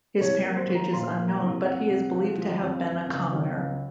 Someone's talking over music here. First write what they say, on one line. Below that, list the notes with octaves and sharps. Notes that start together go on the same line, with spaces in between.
His parentage is unknown but he is believed to have been a commoner.
C2 C#5
A#3
C5
F#3
A#5
A#2 C6
A#3
A#5
C2
F2 F#5
C3
F3
F3
F2
F2
C#2
F#3
C#2